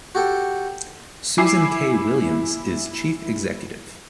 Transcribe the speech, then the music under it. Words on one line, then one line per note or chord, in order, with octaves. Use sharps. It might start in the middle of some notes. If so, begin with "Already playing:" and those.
Susan Kay-Williams is Chief Executive.
F#4 G4 A4 G5
E4 G#5 D6 C7